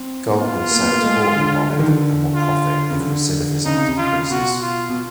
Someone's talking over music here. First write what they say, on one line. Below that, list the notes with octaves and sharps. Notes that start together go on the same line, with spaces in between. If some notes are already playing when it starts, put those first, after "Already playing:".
Goldman Sachs bought the bond and will profit if recidivism decreases.
Already playing: C4
A#3
B3 F4
A#3
B3
A#3
A3
G#3
D3
D3
D#3
D3
F4
C#3
D3
C#3 D#4
C3
C#3
F4
B2 F#4
F4
B2